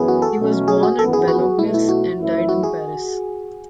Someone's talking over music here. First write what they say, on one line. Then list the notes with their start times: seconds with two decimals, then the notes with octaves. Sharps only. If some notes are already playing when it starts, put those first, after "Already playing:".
He was born at Valognes, and died in Paris.
Already playing: F#2 E3 B3 G#4
0.08 F#4
0.22 A4
0.38 B2 F#3 A3 C#4
0.68 G#4
0.83 F#4
0.98 G#1 F#2 E3 B3 A4
1.13 G#4
1.28 F#4
1.58 B1 B2 A3 E4
1.74 E4
1.89 F#4
2.18 F#2 E3 A3 E4
2.49 F#4
2.63 G#4